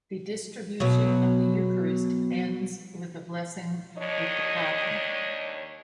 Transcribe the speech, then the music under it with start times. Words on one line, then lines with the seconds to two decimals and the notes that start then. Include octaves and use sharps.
The distribution of the Eucharist ends with a blessing with the Paten.
0.80 B2 F#3
3.98 D#2 D4 C#5 D#5